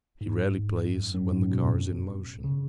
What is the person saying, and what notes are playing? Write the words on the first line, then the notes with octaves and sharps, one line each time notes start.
He rarely plays when the car is in motion.
G#2
F#2
F#2
G#2
A2
B2
C#3